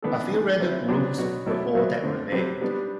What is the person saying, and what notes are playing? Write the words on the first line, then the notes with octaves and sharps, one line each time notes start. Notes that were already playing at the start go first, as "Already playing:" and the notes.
A few rendered rooms were all that were made.
E3 B3 D4 A4
E3 A3 D4
F#3 C4 E4 B4
F#3 B3 D4 G4 C5
B2 F#3 B3 F#4
B2 F#3 A3 E4 A4
F#3 B3 F#4 C5 E5
D3 A3 C4
C3 F#3 C4 G4 B4
G3 B3 D4